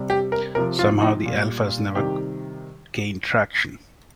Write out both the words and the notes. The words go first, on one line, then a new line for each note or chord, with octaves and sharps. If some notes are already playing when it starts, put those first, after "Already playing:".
Somehow, the Alphas never gained traction.
Already playing: C3 G3
G4
A#4
C3 F3 A#4
F4
D#4
A#2 G3
C3 D#3 G3 G4